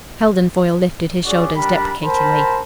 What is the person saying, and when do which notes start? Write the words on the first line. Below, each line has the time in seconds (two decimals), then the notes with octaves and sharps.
Heldon Foyle lifted his shoulders deprecatingly.
1.25 C#4 F#4 G#4 D5
1.56 G3 D4 A#4 G5 B5
2.03 A#4 C5 G5 A5 B5 C6